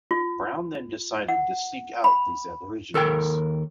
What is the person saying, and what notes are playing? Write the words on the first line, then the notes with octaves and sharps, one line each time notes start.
Brown then decided to seek out these Aborigines.
F4
F#5
B5
D#2 A4 A#4 G5